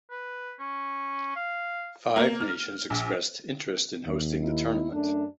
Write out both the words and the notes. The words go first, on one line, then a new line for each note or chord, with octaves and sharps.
Five nations expressed interest in hosting the tournament.
B4
C#4
F5
A#3
F6
A#1
D#2
D#4 E4
F#2 A3 D4